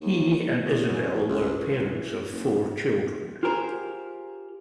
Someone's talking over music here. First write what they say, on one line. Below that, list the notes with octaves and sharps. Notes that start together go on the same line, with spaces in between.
He and Isabel were parents of four children.
D#2
D#1
E2
F#2
A1
C#2
C#2
E3
F#1
F4 G4 G#4 A#4 C5